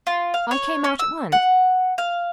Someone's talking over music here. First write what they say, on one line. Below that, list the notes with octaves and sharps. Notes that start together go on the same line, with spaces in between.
I came out at once.
F4
F5
C#5
C#4
E6
F#5
F5